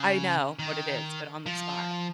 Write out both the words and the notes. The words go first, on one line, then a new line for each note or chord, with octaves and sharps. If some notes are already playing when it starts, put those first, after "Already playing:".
I know what it is, but on the spot,
Already playing: C#3
D#3
F3